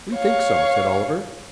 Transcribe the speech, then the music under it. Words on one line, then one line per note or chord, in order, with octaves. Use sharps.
"We think so," said Oliver.
C#5 F5